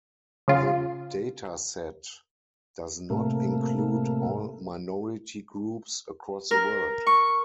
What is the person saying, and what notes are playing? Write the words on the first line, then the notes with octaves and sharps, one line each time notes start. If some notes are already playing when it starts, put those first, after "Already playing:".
The dataset does not include all minority groups across the world.
C#3 F4
A2 C3 A3 A#3
A#4
C#6